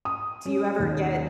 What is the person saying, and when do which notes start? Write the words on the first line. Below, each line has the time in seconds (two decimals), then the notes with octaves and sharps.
Do you ever get,
0.05 D#6
0.46 C#4
0.79 D#2